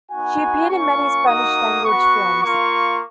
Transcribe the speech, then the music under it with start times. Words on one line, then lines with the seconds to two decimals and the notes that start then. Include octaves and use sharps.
She appeared in many Spanish language films.
0.11 B3 D#4 F#4 G#5
0.68 A#3 C#4 F4 C#6
1.26 A#3 D#4 F#4 D#6
1.83 B3 F#4 C#6
2.41 A#3 F4 C#6